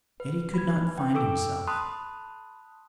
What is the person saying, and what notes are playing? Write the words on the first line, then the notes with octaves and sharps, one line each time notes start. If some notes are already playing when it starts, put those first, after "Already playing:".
Yet he could not find himself.
B4
B5 G#6
D#4 B4
G5
A4 G5 C#6 D6 E6 D7
A5 B5 C6 D#6 F#6